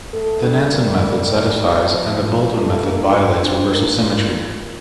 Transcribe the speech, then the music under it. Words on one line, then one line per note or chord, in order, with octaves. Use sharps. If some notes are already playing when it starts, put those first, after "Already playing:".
The Nanson method satisfies and the Baldwin method violates reversal symmetry.
A3 A4
G3 D4
A#4
D#4
A#4
D#4
F3 C5
F3 F4
A3 G4
A#3 D4
C4 F4
C4 D4
A#3 A#4
F4